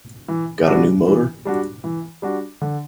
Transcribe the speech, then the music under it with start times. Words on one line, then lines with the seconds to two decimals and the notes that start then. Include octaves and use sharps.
Gotta New Motor?
0.28 E3
0.68 G3 D4 F#4
1.07 E3
1.45 G3 D4 F#4
1.84 E3
2.22 G3 D4 F#4
2.61 D3